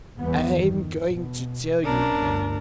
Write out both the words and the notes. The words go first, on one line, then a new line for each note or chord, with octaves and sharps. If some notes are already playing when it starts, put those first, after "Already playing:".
I am going to tell you.
G1 E2 B3
D#3
B2
B1 C#4 D4 A#4
G1 D2